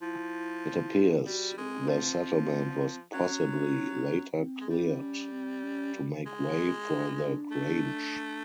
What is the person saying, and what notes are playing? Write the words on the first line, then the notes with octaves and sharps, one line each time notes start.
It appears the settlement was possibly later cleared to make way for the grange.
F3 E4
G3 F#4
G#3 C4
F3
F#3 C#4
C4
G#3
G3 C4
C#4
C4
C#4
G#3
D4
A3